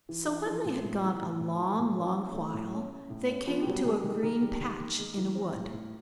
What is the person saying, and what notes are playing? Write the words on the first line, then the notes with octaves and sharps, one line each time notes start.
So when they had gone a long, long while, they came to a green patch in a wood.
E3
E3 E4
E3 F3 F4
A2
A2
E3
A2
A2
E3
A2
C#4 E4
C#4
A3
A2
C#4
C#4
A2
C#4
F3 B3 F4
G4
F#3 G3 F#4
G3 G#3 G#4
D#3 G#3 G#4
D#3 A#3 A#4
G3
D#3
D#3
G#3
E3
C4
A2
A2